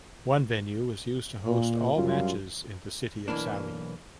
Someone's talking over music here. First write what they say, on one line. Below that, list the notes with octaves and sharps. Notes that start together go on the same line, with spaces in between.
One venue was used to host all matches in the city of Saly.
A#2
F#2 G3 F4
B1 E3 A#3 D4